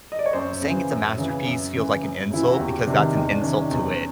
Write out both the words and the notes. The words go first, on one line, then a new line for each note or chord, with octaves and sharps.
saying it's a masterpiece feels like an insult because that's an insult to it.
D#5
D5
C#5
F#2 C5
C#3 E3
F#2
C#3 E3
F#2
C#3 E3
F#2
C#3 E3 E4
F4
F#4
E2 G4
C3 D#3 D4
E2 D#4
D4
C3 D#3 C#4
D4
E2